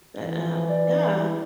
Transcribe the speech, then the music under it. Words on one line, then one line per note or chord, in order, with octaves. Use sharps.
but, um, yeah,
E3
D5